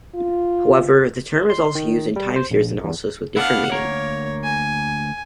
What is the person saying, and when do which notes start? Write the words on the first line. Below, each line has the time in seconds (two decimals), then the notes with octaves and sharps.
However, the term is also used in time series analysis with a different meaning.
0.14 F4
1.50 C6
1.75 D#3
2.16 G3
2.36 C5
2.51 A#1
2.84 E2
3.37 B3 D4 E4 F5 F#5
3.72 D2 A#3 A#4 C#5
4.44 G#5